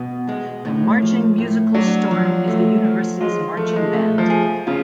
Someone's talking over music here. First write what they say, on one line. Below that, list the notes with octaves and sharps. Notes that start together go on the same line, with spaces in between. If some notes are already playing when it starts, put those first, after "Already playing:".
The "Marching Musical Storm" is the university's marching band.
Already playing: B2
G#3
A2
F3
A2
F#3 D4
F3
A3
F3
G#3 F4
F3 A3
G#3
A3
F3
G#4
C#3 F4